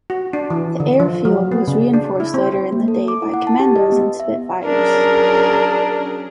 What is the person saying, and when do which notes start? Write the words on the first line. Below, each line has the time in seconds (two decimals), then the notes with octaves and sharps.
The airfield was reinforced later in the day by commandos and Spitfires.
0.10 F#4
0.33 D4
0.50 E3
0.80 D3
1.00 F3
1.25 F#3
1.52 B3
1.68 C#3
1.94 D4
2.20 E4
2.34 C4
2.72 A#3
2.88 A4
3.08 D6
3.22 E4
3.34 F#5
3.47 A5
3.59 G4
3.76 D#5
3.92 B3
4.20 E5
4.66 F#3 C#4 D4 G#4 A#4